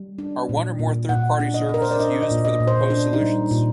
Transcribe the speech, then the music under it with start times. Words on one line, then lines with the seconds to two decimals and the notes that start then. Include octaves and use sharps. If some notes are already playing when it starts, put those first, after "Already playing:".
Are one or more third party services used for the proposed solutions?
Already playing: G3
0.18 D4
0.49 A#2
0.79 A#2
1.09 A#2 F#5
1.40 D4
1.54 D#5
1.69 D4 A#4
1.82 C5
1.91 D5
2.00 D4 D#5
2.22 D#5
2.31 A#2
2.45 D#5
2.60 A#2
2.68 C5
2.90 D4
3.13 D#4
3.21 G3
3.51 A#2